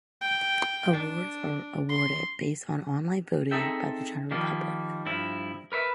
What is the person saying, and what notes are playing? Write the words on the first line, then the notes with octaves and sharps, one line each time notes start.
Awards are awarded based on online voting by the general public.
G5
D4
C6
C4 D#4 G#4 A4 E5 G5
D#3 F3 G3 A#3
G2 F3 E4
A#4 B4 C#5 E5